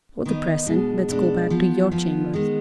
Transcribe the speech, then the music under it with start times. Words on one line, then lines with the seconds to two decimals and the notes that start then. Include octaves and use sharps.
For the present let's go back to your chambers.
0.25 D#3 B3 D#4
0.67 B2 G#3 D4
1.09 B2 G#3 D4
1.50 F3 B3 F4
1.91 F3 B3 F4
2.34 D#3 G#3 B3